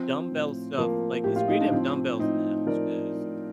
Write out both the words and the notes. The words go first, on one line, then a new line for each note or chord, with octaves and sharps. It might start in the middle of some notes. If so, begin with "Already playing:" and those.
dumbbell stuff, like, it's great to have dumbbells in the house 'cause
Already playing: F3 C4
A2
F3 A#3
A2 G4
F4
D#4
D4
F3 C4
A2 C4 D#4
F3 A#4 D5
A2